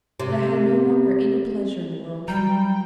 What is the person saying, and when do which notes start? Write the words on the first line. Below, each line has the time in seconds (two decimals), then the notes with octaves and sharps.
But I had no longer any pleasure in the world.
0.20 C3
2.28 F#3 G3 G5 A#5